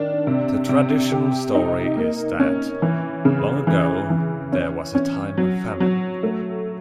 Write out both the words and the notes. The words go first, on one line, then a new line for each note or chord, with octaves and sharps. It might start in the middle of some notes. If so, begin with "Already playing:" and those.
The traditional story is that, long ago, there was a time of famine.
Already playing: D#3 D4
C3
C3
G4
D#4
A#3
C#4
E3
C#3
E3
E3
C#4
C#4
F#3
F#3
A3